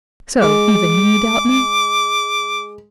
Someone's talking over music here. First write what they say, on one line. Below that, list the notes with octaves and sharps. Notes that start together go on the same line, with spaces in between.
"So, even you doubt me?"
G#3 D6